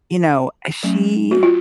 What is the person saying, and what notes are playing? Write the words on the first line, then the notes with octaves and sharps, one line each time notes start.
you know, uh, she
F#3 A3 C#4
F#4
F4